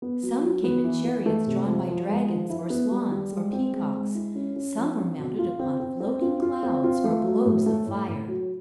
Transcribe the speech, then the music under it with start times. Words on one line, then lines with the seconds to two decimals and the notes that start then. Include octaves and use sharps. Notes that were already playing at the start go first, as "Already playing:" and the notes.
Some came in chariots drawn by dragons, or swans, or peacocks; some were mounted upon floating clouds, or globes of fire.
0.02 B3
0.23 F#3
0.43 F#3
0.64 B3
0.84 E3
1.05 E3
1.26 A3
1.47 C3
1.66 F3
1.88 F3
2.09 G#3
2.29 F3
2.50 E4
2.70 B3
2.91 G3
3.12 G3
3.32 G#3
3.53 C4
3.73 G#3
3.94 G#3
4.15 E4
4.35 C#4
4.56 C#4
4.77 F3
4.97 C4
5.18 B2
5.39 F4
5.59 C4
5.80 C4
6.00 C4
6.21 F4
6.42 F4
6.63 C4
6.84 F4
7.04 A3
7.24 F#3
7.45 A2
7.66 A3
7.87 A2
8.07 A2
8.28 F#3